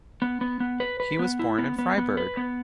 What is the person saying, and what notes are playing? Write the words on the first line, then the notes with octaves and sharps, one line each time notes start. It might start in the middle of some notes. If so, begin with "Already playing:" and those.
He was born in Freiburg.
B3
B3
B3
B4
B4
B3
E4
B3
B3
B3
B4
B3